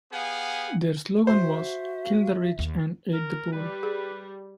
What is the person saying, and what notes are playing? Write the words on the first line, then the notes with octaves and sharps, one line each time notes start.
Their slogan was "'kill the rich and aid the poor'".
B3 G4 G#4 F5 F#5 G#5
F#4 C5 E5 C6
D#2
A#4
G3 B4
G#4